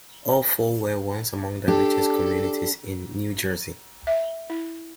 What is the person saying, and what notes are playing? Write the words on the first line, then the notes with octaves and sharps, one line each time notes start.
All four were once among the richest communities in New Jersey.
D4 G4 A4
E5
E4